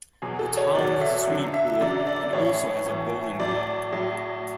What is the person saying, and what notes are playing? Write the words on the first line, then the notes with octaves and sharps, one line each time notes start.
The town has a swimming pool and also has a bowling green.
E2 B2 F#3 G#4
A4
C#5
E2 B2 F#3 D5
E5
F#2 D3 F#3
E5
F#2 D3 F#3 D5
D5
A2 E3 C#5
A2 E3
A2 F#3 D5
A2 F#3